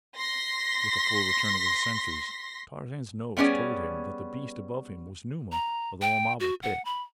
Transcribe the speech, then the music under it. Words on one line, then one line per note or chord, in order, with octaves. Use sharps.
With the full return of his senses Tarzan's nose told him that the beast above him was Numa of the Wamabo pit.
C6 A#6 B6
G3 B3 C#4 G#4 D5
A#5
G5
F#4
F#5
B5